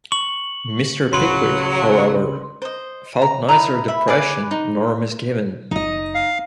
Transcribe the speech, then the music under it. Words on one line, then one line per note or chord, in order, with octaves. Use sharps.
Mr. Pickwick, however, felt neither depression nor misgiving.
C#6 F#7
D1 A2 C#3 F#3 B4 C6
C5 D#5
A#5
E4 D#5 A#5 B5
E5 B5
G#4 B4 D5
D#4
F#1 D#4 D#5
F5